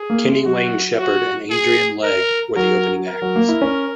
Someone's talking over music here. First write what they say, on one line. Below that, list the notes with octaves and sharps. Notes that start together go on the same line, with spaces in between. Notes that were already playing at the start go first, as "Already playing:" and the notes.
Kenny Wayne Shepherd and Adrian Legg were the opening acts.
Already playing: G#4
A#3
G#3
F#3 F#4
F#4
G#4
A#4
F#3 A#4
A#4
F#3
A#3
E4
C#4